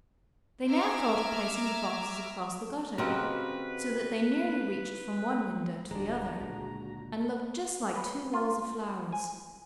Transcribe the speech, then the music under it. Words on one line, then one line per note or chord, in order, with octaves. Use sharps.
They now thought of placing the boxes across the gutter, so that they nearly reached from one window to the other, and looked just like two walls of flowers.
E5 A#5 D6 E6 F6 G#6
C#3 C4 F#4 G4 A#4 B4 D#5
D1 G#3 D4 F#4 A#5
C#2 A#2 D3
B4
F4
G#5